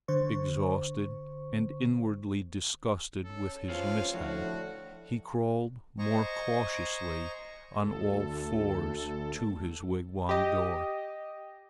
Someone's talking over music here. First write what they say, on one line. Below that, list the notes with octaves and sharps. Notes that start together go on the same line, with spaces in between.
Exhausted and inwardly disgusted with his mishaps, he crawled more cautiously on all fours to his wigwam door.
D3 C5 C#6
C#4 A4
F3 F4 B4 C#5 F5
A2 D3 F3 F#4
C5 D#5 G#5 A#5 C#6
D2 A4
G4 D#5